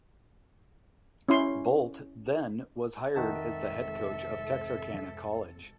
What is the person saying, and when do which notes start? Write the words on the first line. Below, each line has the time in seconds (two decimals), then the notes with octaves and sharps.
Bolt then was hired as the head coach of Texarkana College.
1.29 C#4 E4 C6
3.16 F2 G#2 C3 D#3 A4 E5 F#5 A5